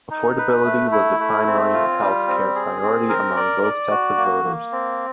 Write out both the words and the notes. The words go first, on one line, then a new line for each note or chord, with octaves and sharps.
Affordability was the primary health care priority among both sets of voters.
D#4
B4
A3
E4
A3
C4
F4
G3
C4
G#4
C4
A#4
D5
D5
F#4
A#3
A#3
C4